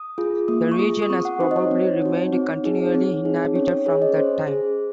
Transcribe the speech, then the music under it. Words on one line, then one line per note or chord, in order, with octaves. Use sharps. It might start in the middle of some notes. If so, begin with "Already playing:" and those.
The region has probably remained continually inhabited from that time.
Already playing: D#6
F4 G#4
A#3 D#6
C#6
F4 G#4 D#6
D#6
C4 C#6
F#5
D#4 F#4 C5
D#5
C#5
C4
D#4 F#4
C4
D#4 G#4
C4 C#5
D#4 G#4
C#4 C#5
C#5
G#4 C#5
D#5
C#4 C5
G#4